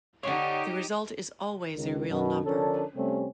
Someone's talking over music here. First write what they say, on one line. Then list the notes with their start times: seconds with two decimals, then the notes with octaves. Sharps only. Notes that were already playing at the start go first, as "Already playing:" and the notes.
The result is always a real number.
0.23 D3 D#4 G4 C#5
1.75 C#2 D#3
2.09 F#2 B2
2.45 D3 F3 C#4 D4 A4 A#4
2.95 C3 G3 A3 C4 C#4